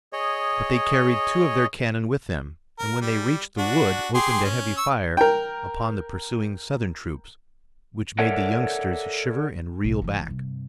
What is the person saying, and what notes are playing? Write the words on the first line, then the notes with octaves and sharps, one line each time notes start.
But they carried two of their cannon with them, and when they reached the wood opened a heavy fire upon the pursuing Southern troops, which made the youngsters shiver and reel back.
G#4 C#5 D#5
A#4
G3
D4 F#4
G4 G#4 C6
C#4
C#6 E6
A#4 G5
A4 A#4 C#5 D5 E5 F#5
B1
F1 E3
G2 C3